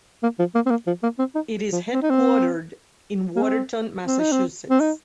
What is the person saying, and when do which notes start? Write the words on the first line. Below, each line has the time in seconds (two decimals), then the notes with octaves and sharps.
It is headquartered in Watertown, Massachusetts.
0.23 A#3
0.39 F3
0.55 A#3
0.66 C4
0.70 A#3
0.87 F3
1.03 A#3
1.19 C4
1.35 D#4
1.72 F3
1.93 C4
2.02 D#4
2.10 C4
3.36 A#3
3.42 C4
4.06 C4
4.19 D#4
4.32 C4
4.70 C4
4.80 D#4